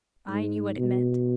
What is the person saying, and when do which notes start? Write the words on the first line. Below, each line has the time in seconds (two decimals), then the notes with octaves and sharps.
I knew what it meant.
0.29 G#2
0.78 B2